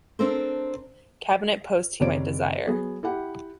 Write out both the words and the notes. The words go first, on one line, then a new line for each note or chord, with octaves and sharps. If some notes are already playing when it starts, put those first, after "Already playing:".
Cabinet post he might desire.
C4 D4 A4 A#4 C5
F#1 C3 D#3 C#5 D5 D7
F#3 B3 G#4
E4 G4 F#5 G5